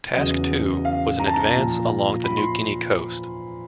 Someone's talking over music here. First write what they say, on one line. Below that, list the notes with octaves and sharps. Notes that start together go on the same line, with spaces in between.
Task Two was an advance along the New Guinea coast.
E2 C#3 F#3 D#5
F5
A#5
A5
A#5
A#2 F3
B5
C6